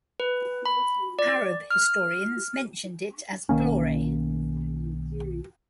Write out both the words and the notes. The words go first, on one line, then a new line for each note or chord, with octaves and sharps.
Arab historians mentioned it as Blore.
B4
B5
D5
F6
B1 D#3 A#3 C#4